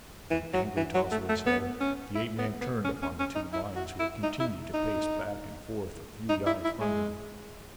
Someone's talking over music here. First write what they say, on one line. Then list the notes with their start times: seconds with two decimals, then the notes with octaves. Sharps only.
With an angry toss of his head, the ape-man turned upon the two lions who had continued to pace back and forth a few yards from him.
0.31 E3
0.54 F#3
0.77 E3
0.95 F#3
1.12 A3
1.29 A3
1.47 B3
1.81 C#4
2.15 E4
2.39 B3
2.61 B3
2.85 C#4
3.02 C#4
3.19 C#4
3.35 D#4
3.53 E4
3.76 F#4
3.99 E4
4.23 D#4
4.40 E4
4.74 D#4
6.29 D#4
6.46 E4
6.65 E4
6.81 G#3